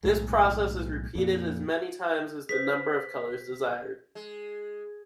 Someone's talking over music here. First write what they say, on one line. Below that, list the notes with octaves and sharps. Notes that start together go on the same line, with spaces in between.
This process is repeated as many times as the number of colours desired.
B1 F2 A2 G#3
F2 A#2
G#4 B4 C5 B6
G#3